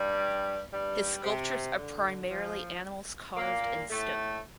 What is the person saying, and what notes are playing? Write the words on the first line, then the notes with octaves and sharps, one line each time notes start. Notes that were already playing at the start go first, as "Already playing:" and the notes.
His sculptures are primarily animals carved in stone.
Already playing: G2 G3
G2 G3
C3
D3
F3
A#2 A#3
A2 A3